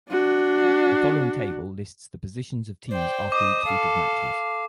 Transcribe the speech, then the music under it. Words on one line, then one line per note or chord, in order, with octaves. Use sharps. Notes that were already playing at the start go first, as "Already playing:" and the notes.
The following table lists the positions of teams after each week of matches.
D4 F#4
C5 D5 G5
D#5 D6 D#6
A4 F5